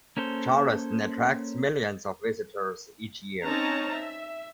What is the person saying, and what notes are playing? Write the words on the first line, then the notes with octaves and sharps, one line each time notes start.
Charleston attracts millions of visitors each year.
A#3 C#4 A4 C5
C4 C#4 D#4 C#5 A5 A#5
E5